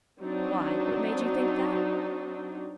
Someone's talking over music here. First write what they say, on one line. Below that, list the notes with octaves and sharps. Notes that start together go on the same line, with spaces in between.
Why, what made you think that.
F#3 C4 D4 D#4